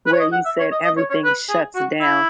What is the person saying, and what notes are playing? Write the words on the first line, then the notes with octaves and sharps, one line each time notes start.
where you said everything shuts down,
B4
C#5
D#5
F#5
E5
C#5
D#5
D#5
C#5
C#5
B4
G#4
F#4
E4